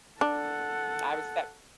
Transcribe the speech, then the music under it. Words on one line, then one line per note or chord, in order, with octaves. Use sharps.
I was set f
D4 A4 F#5